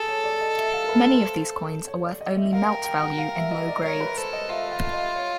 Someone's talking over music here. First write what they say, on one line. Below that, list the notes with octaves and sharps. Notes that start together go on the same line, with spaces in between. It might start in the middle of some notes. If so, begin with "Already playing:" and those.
Many of these coins are worth only melt value in low grades.
Already playing: G#4 A4
C#5
D5
D#5
E5
F5
A#4
B4
C5
C#5
D5
D#5
E5
A#4 F5
G5
G5
F#5
F5
E5
D#5
D5
A#4 C#5
B4
A4 C5
D#5
F4 E5
F5
D#5
C#5